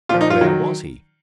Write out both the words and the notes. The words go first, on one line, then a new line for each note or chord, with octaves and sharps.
Where was he?
A#2 F3 F4
D#4
F4
D#3 F#3